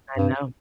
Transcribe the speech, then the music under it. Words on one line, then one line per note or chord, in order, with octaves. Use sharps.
I know.
G2